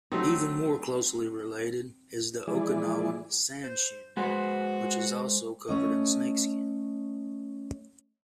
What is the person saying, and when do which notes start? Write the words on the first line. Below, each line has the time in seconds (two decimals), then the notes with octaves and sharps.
Even more closely related is the Okinawan "sanshin", which is also covered in snakeskin.
0.12 F#3 A3 C4 D#4
2.47 E3 F3 G#3 E4 G#4 D5
3.64 C5
4.17 G#3 F#4 B4 C5
5.69 A3 C#4 D#5